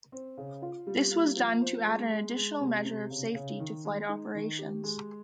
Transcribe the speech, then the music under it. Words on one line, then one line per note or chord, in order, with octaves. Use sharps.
This was done to add an additional measure of safety to flight operations.
C4
C#3
F4
G3
A#3
F3
C5
G#3
G#3
G#3
C3
C3
C#3
C#3
D#3
G#3
D#4
D#3
G4
G#3